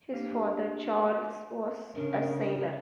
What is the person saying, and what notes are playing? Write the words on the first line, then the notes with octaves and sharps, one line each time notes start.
His father, Charles, was a sailor.
A#3 D4 G4 F5
C#3 D4 A#4